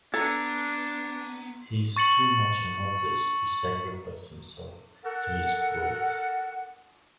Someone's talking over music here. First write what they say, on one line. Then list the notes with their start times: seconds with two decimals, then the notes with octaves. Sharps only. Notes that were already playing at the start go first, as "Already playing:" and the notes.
He is too much an artist to sacrifice himself to his clothes.
0.14 B3 D4 A4 A#5 G#6
1.96 C#6 A6 C#7 F#7
5.05 A4 A#4 F#5